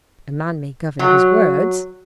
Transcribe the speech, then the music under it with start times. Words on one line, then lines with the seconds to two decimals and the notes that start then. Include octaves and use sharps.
"A man may govern his words."
0.99 F#3